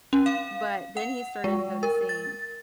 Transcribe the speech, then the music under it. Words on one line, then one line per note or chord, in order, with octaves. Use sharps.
But then he started noticing
C#4
F5
F#5
G#3
A#4
A6